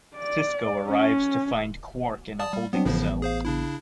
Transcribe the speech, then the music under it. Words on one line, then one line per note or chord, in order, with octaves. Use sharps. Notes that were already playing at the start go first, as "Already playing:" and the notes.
Sisko arrives to find Quark in a holding cell.
D5
C#4
D5 A5 D#6
G3
F#3 B3 C4 D4
A1 A2 C#3 F3 B3
G#4 C5 F5
C#3 D4 E4